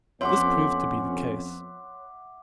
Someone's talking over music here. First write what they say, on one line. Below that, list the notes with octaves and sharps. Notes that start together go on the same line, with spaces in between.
This proved to be the case.
F2 B3 C#4 C#5 E5 F#5 C6 D6